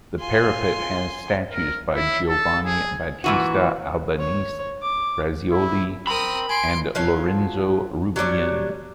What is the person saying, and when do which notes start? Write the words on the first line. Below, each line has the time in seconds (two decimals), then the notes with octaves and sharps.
The parapet has statues by Giovanni Battista Albanese, Grazioli and Lorenzo Rubini.
0.20 F4 G#5 C6
1.51 A#4
1.95 E4
2.28 A4
2.65 G#4
3.24 A#2 E3 F#4
4.19 C#5
4.82 D6
5.51 E4
6.07 C4 A#4 B5 D#6
6.49 G#5 C6 D7
6.95 F3 F#3 F5
8.16 F#3 G3 D4 C#5